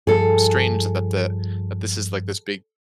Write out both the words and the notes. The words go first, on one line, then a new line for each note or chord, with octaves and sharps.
strange that the that this is, like, this big,
G2 F3 G#4 A4